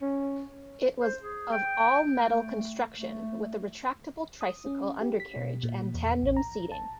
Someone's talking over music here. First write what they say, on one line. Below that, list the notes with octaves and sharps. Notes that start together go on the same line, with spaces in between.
It was of all-metal construction with a retractable tricycle undercarriage and tandem seating.
C#4
C5
G#4
G5
A3
A3
D#6
C#4
G4
B6
B2
A#2
E2
A1
A#5
A5